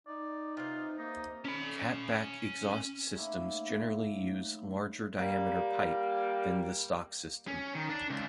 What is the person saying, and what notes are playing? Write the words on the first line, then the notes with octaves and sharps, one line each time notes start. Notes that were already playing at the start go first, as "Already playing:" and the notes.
Cat-back exhaust systems generally use larger diameter pipe than the stock system.
D#4 D5
C3 F4 B4 C5
A#3 D#4
C#4 B5
A2 D#3 A#3 E4
G3 A#3
C#4
D#3
D4
C#2